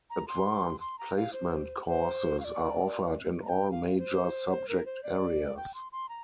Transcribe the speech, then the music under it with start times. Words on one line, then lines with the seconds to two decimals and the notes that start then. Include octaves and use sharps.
Advanced placement courses are offered in all major subject areas.
0.10 A#5
0.28 C6
0.80 C6
0.99 A#5
1.16 F5
1.33 C5
1.86 C5
2.40 F5
2.44 D5
3.45 A#5
3.49 G5
3.71 F5
3.98 C5
4.50 C5
4.69 A#4
4.86 C5
5.03 D5
5.57 G5
5.74 C6
5.92 C6
6.09 A#5